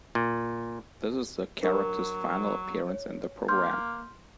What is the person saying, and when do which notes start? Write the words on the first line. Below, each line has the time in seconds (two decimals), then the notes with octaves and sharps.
This is the character's final appearance in the programme.
0.15 A#2
1.63 F#3 D4 A#4
2.90 C#5
3.48 A#3 C6 F6 G6